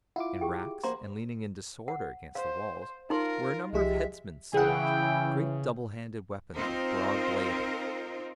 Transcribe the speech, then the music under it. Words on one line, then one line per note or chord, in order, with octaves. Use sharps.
In racks, and leaning in disorder against the walls, were a number of headsmen's swords, great double-handed weapons with broad blade and keen edge.
E4 F4 F#5 D6
G4 G#4 G5
A#3 F#4 C5 C6
F#5
C5 F5
D#4 F4 A#4 C6
C2 F3 G#3 G4 E5
C#3 E3 C#4 E4 G#4 F#5 G5
C4 D#4 F4 A#4 C5